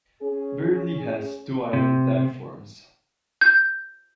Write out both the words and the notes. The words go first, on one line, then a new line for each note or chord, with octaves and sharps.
Burnley has two island platforms.
C#4 G#4
C3
G6